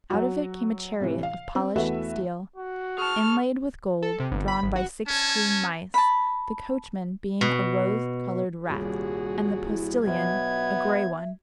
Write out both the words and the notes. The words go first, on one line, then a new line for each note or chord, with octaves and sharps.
Out of it came a chariot of polished steel, inlaid with gold, drawn by six green mice, the coachman being a rose-coloured rat, and the postilion a grey one.
F#3 F#4
A2 C3 E3
F5
C4
E2 E3 A3 F#4 B4 E5
F#4
G#4 A5 C#6 F6
A4
C3
G1
B5
G#1
F#4
C#4 A5 G#6
A5 B5
B2
D#1 C2 A#2 F#4 G#4
E4
B1 B3 E5 G#6